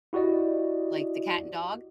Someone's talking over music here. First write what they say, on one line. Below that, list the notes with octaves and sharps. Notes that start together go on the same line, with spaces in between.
like the cat and dog,
E4 F#4 G4 D5 D#5